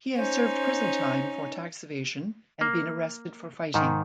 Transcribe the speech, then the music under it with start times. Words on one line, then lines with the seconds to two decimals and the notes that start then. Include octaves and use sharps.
He has served prison time for tax evasion and been arrested for fighting.
0.16 C#4 D#4 C5
2.61 A#3
3.74 G#2 D#3